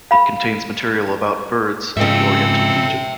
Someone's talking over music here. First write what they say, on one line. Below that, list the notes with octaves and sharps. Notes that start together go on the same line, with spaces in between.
It contains material about birds of the Oriental region.
F5 B5
F2 G#2 C#3 C4 A4 E5 G5